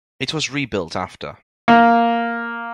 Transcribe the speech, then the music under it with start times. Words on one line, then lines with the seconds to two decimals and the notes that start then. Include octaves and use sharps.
It was rebuilt after.
1.68 A#3